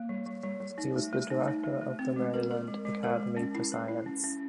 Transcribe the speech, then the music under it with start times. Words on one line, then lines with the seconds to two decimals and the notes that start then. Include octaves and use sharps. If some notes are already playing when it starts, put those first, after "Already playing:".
He was the director of the Maryland Academy of Science.
Already playing: A#3
0.09 G3
0.26 G3
0.43 G3
0.61 G3
0.78 D#4
0.96 A3
1.13 A3
1.30 D#4
1.48 D#4
1.64 A3
1.81 A3
1.99 C4
2.16 G#3
2.34 A#4
2.51 A#4
2.68 G#3
2.85 G#3
3.03 A#4
3.20 G#3
3.36 C#4
3.55 E4
3.72 B4
3.88 E4
4.06 C#4
4.24 C#4